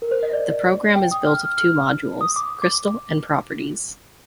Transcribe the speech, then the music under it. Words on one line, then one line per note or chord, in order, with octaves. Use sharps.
The program is built of two modules: "crystal" and "properties".
A#4
C5
D#5
D5
G5
D#6
F6
F6
F6
D#6
D6
D6